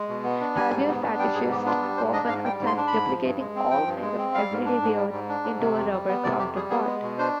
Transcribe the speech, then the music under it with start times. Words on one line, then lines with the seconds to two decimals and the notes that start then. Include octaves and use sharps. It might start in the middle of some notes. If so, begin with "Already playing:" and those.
Heavier fetishists often attempt duplicating all kinds of "everyday wear" into a rubber counterpart.
Already playing: G#3
0.09 B2
0.24 B3
0.41 D4
0.56 G3 G#5
0.71 G#2
0.88 B3
1.04 D4
1.19 G3 G5
1.35 G#2 G#4
1.50 B3 G4
1.66 D4 F4
1.82 G3
1.97 G#2 C5
2.13 D4 D#5
2.29 G#2 F5
2.45 G3 G5
2.60 G#2
2.67 C6
2.77 D4
2.87 B5
2.93 G#2
3.08 F3
3.24 G2
3.39 G#3
3.55 C4
3.71 F3 G5
3.86 G2
4.02 G#3
4.18 C4
4.34 G3 F5
4.51 G#2
4.65 D4
4.82 G#2
4.97 G3
5.13 G#2
5.29 D4
5.44 G#2
5.60 C3
5.76 F2
5.92 G3
6.08 B3
6.24 C3 D5
6.39 F2 G4
6.55 G3 G#4
6.70 B3 G#4
6.86 G#3
7.02 B2
7.18 D4 C5